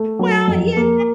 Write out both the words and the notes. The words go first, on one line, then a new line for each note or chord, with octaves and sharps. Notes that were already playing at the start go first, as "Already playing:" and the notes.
Well, you
Already playing: A3
F#3
F2
A#3